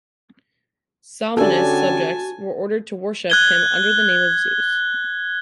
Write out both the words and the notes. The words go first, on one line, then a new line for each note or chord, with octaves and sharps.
Salmoneus' subjects were ordered to worship him under the name of Zeus.
D3 C#4 D4 F#4 G4 A4 G#5 A5
F#6 G#6 G7